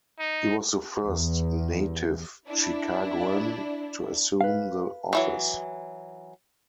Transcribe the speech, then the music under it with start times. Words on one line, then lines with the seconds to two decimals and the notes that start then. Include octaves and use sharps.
He was the first native Chicagoan to assume the office.
0.20 D#4
1.05 E2
2.48 D4 E4
4.41 B4 F5
5.13 D#3 E3 F#3